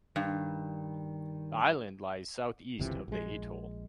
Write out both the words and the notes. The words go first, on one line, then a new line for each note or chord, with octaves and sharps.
The island lies the south east of the atoll.
G2 D#3
G1 C#2 C3 E3
A#1 G#3